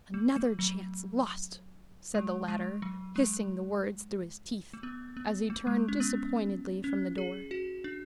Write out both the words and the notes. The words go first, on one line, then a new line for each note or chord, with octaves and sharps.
"Another chance lost!" said the latter, hissing the words through his teeth, as he turned disappointedly from the door.
A3
A3
F#3
G#3
G#3
F#3
G#3
A3
B3
B3
A3
G#3
C#4
B3
C#4
G#4
F#4
D4